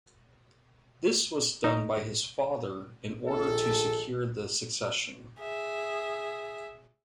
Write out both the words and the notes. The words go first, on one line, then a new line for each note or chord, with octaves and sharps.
This was done by his father in order to secure the succession.
D#4
A#1 D#3 A4
G#4 E5